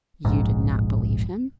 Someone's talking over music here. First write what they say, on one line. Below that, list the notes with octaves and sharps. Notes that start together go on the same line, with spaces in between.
"You did not believe him?"
D1 A#1 G#2